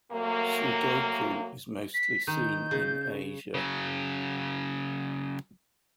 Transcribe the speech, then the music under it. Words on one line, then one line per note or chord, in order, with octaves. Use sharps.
Sodoku is mostly seen in Asia.
C3 F#3 A3 A#3
B6
D#3 G6
C#3
C#3 F#3